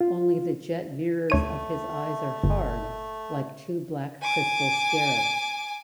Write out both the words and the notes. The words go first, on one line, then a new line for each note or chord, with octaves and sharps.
Only the jet mirrors of his eyes are hard like two black crystal scarabs.
F4
D2 A3 C#5 D#7
G1
G#5 D6